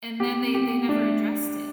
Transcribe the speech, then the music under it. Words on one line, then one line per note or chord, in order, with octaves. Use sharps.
and then they they never addressed it,
B3 G4
C4
G4
B3
A3 D4